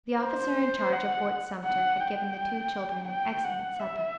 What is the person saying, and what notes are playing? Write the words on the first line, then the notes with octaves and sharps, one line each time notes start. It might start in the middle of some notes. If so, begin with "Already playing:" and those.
The officer in charge of Fort Sumter had given the two children an excellent supper.
C5
F#5
F#5
G5
G5
F#5
E5